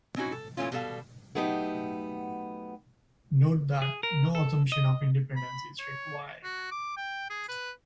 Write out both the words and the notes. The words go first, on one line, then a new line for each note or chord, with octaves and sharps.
Note that no assumption of independence is required.
C4 C#4 D#4 E4 F#4
A4
A#2 E3 A3 C#4 F4
B2 G3 A4 F5
F#3 A3 B3 D#4 G4
G#4
A#4
A4
D#5
B5
C#5
F#4
D6
G5
G#4
B4